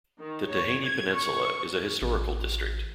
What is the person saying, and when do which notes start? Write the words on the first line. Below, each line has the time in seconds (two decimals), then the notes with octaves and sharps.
The Tihany Peninsula is a historical district.
0.20 D#3
0.50 C#5
0.87 G#6
1.16 C#6
2.02 A1